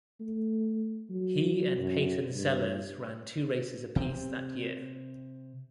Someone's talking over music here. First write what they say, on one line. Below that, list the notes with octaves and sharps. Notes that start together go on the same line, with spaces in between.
He and Peyton Sellers ran two races apiece that year.
A3
F#3
F#2
G2
C3 C4